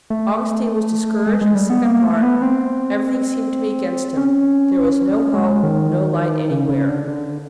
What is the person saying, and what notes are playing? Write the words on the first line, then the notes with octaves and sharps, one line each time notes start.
Augustine was discouraged and sick at heart; everything seemed to be against him; there was no hope, no light anywhere.
A3
G#3
G#3
G3
B3
A#3
A3
B3
C4
C#4
G#3
D#3
C#3
C#3
D3
D3